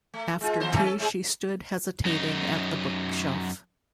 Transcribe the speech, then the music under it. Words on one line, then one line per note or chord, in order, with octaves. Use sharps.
After tea she stood hesitating at the bookshelf.
A3
G#3 F4
D#2 F3 C5
B2 E3 G3
C#4 A4
A2 G#3 G#4
F#2 D#4